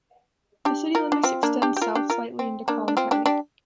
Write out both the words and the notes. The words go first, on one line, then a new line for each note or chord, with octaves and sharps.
The city limits extend south slightly into Collin County.
D4 G4
F4 A#4
D4
C4 F4
A#3 D4
D4 G4
G4
F4 A#4
D4 G4
F4 A#4
C4
A#3 D4
D4
C4 F4
D4 G4
D4 G4